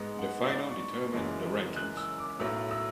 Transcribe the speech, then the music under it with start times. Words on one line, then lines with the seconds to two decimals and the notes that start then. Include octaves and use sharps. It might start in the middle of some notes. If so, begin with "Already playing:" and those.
The final determined the rankings.
Already playing: G#2 G#3 B3
0.19 F#5
0.50 D5
0.71 C#6
1.12 F#1 F#2 E3 G#3
1.76 F#6
1.97 E6
2.18 D6
2.39 B1 A2 F#3 B3 E6
2.71 E6